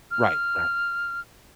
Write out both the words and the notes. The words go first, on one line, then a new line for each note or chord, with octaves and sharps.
Right, right.
F6